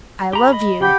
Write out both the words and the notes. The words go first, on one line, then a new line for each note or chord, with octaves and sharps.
I love you.
G4 A#5 B5
D#5 B5
C#3 G4 F#5 G5 B5